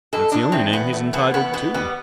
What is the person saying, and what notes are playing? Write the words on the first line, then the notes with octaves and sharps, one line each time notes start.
It's the only name he is entitled to.
B2 A4
B2 D4
E2 C4
E2 B3
A3
B2 B3
E2 B3
F2 B3
G3 B3